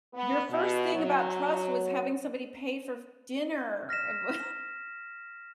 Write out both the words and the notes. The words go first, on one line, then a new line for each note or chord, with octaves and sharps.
your first thing about trust was having somebody pay for f dinner. It was,
B3
B2
F#3
F6 A#6 B6 E7